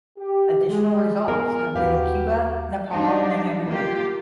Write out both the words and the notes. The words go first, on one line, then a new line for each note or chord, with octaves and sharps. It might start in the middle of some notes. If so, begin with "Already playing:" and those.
Additional results have been in Cuba, Nepal, and Nigeria.
G4
G#3
A#2 B3 G#4 A#4 C6
D#2 F#4 G4 B4 F5
F#3 G3 D4 D#4
A#3 F4 G4